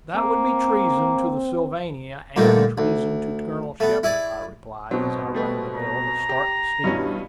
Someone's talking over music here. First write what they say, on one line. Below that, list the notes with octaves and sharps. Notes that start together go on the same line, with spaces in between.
"That would be treason to the Sylvania and treason to Colonel Shepard," I replied, as I rang the bell to start the steamer.
A#3 C4
G2 A#2 D3 D#3 A3
D2
A3 B3
E4 G#4 D5
B2 F#3 C4
G3 A3 B4
A#5
G4
G2 B2 E3 C#4